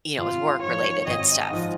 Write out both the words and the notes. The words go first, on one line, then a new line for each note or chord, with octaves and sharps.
you know, it was work-related and stuff.
G#1 F4
G#2 F3 C#5
G#1 D#5
G#2 F3